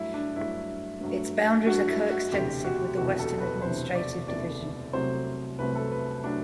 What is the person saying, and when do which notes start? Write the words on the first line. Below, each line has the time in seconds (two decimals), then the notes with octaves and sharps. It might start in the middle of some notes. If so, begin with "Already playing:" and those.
Its boundaries are co-extensive with the Western administrative division.
Already playing: G2 F#3 A3 E4
0.14 D4
0.36 G2 F#3 A3 E4
1.01 G2 F#3 A3
1.66 G2 F#3 A3 F#4
1.88 E4
2.10 F#4
2.32 E1 D2 C3 E3 G4
2.64 F#4
2.97 E1 D2 C3 E3 F#4
3.19 A4
3.40 B4
3.62 E1 D2 C3 E3 C5
3.95 D5
4.27 E1 D2 C3 E3 D5
4.93 C2 C3 F#3 A3 C4 C5
5.59 C2 C3 F#3 A3 C4 B4
5.75 A4
5.92 B4
6.24 C3 F#3 A3 C4 D4